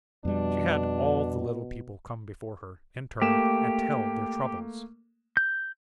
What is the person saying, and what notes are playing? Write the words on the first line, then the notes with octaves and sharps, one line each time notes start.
She had all the little people come before her in turn and tell their troubles.
F2 B2 G3 D4
A3 A#3 G4 E7
G6